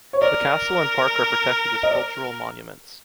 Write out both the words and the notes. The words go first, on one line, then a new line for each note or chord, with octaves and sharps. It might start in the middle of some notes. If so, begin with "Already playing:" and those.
The castle and park are protected as cultural monuments.
C#5
A#4 D5
D#5
D5